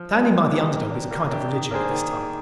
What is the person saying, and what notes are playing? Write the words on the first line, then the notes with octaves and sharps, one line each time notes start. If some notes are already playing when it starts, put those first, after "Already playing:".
Standing by the under dog is a kind of religion with this type.
Already playing: F3
G#3 D4 G4
F3
G#3 D4 G4
A#3
D4 G4
A#3
D4 G4
D#3
A#3 D4 G#4 C5
D#3